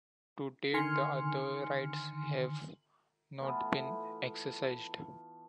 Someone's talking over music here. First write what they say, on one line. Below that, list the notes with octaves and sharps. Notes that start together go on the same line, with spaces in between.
To date the other rights have not been exercised.
D3 D#3 G#5 C6 F6 C#7
E3 A3 B3 F4